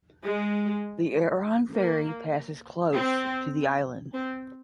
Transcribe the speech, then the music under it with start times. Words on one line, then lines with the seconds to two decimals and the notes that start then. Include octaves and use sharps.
The Arran ferry passes close to the island.
0.24 G#3
1.74 A#3
2.94 C4
4.14 C4